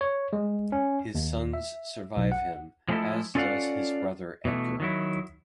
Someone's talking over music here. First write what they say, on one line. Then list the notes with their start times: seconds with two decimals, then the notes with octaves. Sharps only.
His sons survive him, as does his brother Edgar.
0.01 C#5
0.33 G#3
0.72 C#4
1.15 D#2
1.53 E5
2.17 B1
2.32 F#5
2.89 F3 G#3 A3 C4 E4 A4
3.35 C#4 F4 A4 D5 F5 F#5
4.45 B2 E3 A3
4.80 D#3 F#3 E4